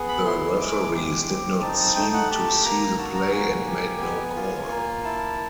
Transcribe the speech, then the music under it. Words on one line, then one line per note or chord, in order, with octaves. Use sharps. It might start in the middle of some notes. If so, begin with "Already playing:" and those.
The referees did not seem to see the play and made no call.
Already playing: B3 G#4
B5
E4 C6
G#3 D6
G4 D6
C4
D#4 A5
A5
A3 G5
F#5
G4 A5
A#3 A#5
F#4 A5
A5
A#5
A#3 G#5
G#5
G4
B3
F4
A#3
E4 A5